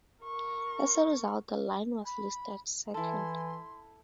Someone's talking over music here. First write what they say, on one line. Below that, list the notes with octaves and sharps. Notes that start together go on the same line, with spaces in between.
As a result the line was listed second.
A#4 C#6
B5
E3 E4 A4 C6